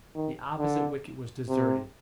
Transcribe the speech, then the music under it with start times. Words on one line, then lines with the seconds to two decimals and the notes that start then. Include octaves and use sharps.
The opposite wicket was deserted.
0.15 D#3
0.59 D3
1.49 C3